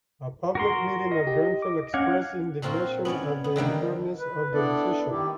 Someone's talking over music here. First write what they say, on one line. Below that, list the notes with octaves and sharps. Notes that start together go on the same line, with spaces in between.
A public meeting at Grenfell expressed indignation at the unfairness of the decision.
F#4 A#4 C6
D#5
G4
D6
C#4 F5 F#5 D6 G#6
A#2 A#3 C4 F4 F#4
B3 C#4 C#5 D5
B3
D3 D#3 G3 A#3
B4
B3 D4 E4 A4 D5
D#3 E4 G4